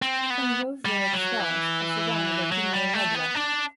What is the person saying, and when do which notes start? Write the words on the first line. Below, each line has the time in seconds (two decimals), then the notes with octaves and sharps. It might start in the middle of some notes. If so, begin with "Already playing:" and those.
Some Wolf-Rayet stars are surrounded by pinwheel nebulae.
0.02 C4
0.30 B3
0.85 G3
1.13 F#3
1.41 E3
2.52 F#3
2.73 G3
2.93 A3
3.14 B3
3.35 D4